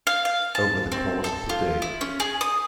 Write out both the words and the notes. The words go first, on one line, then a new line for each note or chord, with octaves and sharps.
Over the course of the day.
F5
F5
A5
C4
A4
F4
E4
C#4
G#4
D#6